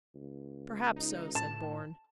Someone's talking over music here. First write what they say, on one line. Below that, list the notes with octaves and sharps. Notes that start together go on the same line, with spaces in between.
"Perhaps so," said Bourne.
C#2
D#4
A2 A5